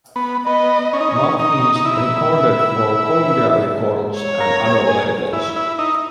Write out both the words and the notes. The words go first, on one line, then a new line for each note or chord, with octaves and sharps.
Maphis recorded for Columbia Records and other labels.
B3
B3 D#5
C#4
D#4
C#4
D#4
C#4
D#4
D#4
E4
E5
E5
C#5
A#4
G#4
E4
E4
D#4